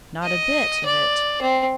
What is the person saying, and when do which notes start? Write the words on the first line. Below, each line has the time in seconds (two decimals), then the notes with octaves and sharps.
'Not a bit of it.
0.23 D#5
0.86 D5
1.42 C4